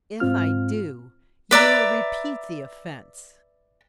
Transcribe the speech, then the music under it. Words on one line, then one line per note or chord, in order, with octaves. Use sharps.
'If I do, you will repeat the offence.'
G#2 C4 F4 F6
B4 D5 E5 A#5